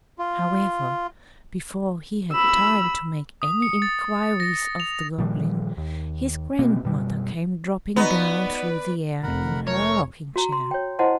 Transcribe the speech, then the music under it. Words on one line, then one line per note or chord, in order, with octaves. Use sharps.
However, before he had time to make any inquiries of the Goblin, his grandmother came dropping down through the air in her rocking-chair.
F4
B5 E6
D#6
C#7
A6
A#6
F7
A#2 D#3 F3 G3
D#2
B2 A#3 C4 C#4
F#2 B2 G3
B3 D#4 F#4 B4 D5 D#5
F1 F2 A#4 F#5 B5
A3 A#4 C#5
F#4 A#5
C6
C#5 G5
E4 C5 D#5 F#5 A5 C6